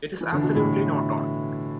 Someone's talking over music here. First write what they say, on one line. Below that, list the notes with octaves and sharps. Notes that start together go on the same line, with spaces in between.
It is absolutely not on.
E3
D3
B2
A2